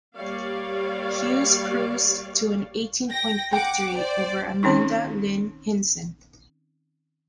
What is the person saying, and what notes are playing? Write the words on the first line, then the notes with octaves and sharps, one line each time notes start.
Hughes cruised to an eighteen point victory over Amanda Lynn Hinson.
G3 A#3 G4 C#5 D5 F5
G5 A#6
F#5 G5 D6
C5 D5
D#3 C4 C#4 D#4